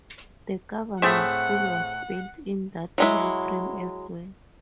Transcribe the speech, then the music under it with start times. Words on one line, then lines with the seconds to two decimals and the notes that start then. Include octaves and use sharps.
The government school was built in that timeframe as well.
1.02 A2 A3 C4 G#4 E5 F#5
2.98 F#3 G#3 E4